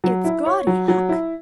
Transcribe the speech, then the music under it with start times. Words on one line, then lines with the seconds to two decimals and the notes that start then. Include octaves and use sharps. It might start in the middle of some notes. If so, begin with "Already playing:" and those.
It's gaudy, Huck.
0.04 F#3
0.24 E4
0.46 C#5
0.67 F#3
0.88 F#3
1.09 E4